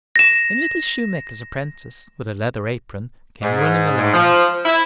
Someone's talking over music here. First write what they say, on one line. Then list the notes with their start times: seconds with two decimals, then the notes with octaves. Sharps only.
A little shoemaker's apprentice, with a leather apron, came running along.
0.16 A#6 E7
3.42 G#2
4.14 F3
4.65 E4